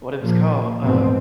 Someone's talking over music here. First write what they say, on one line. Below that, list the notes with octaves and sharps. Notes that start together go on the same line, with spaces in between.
what it was called. Uh,
A#2 F3 A#3
D2 G#2 B2 E3 A3 C4